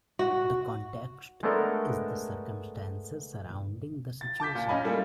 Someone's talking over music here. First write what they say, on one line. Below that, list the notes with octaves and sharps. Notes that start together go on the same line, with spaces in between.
The context is the circumstances surrounding the situation.
F#4
G#3 A3 B3 D4 A4 A#4
A6
A5 D6 G6 B6
A#2
C#4 D#5 G#5 B5
G3 A3 A#3 E4 F4